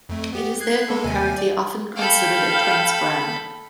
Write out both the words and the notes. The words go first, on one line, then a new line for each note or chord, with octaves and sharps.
It is therefore currently often considered a Twents brand.
F2 A3
B3 G4
F#6 G#6 C7
G#3 A#3 A4
D#2 C3 G#5
D5
A4 F5 G5 B5